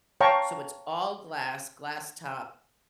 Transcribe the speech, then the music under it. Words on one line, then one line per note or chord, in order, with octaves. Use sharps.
so, it's all glass, glass top,
C#5 F5 G5 A5 A#5 C#6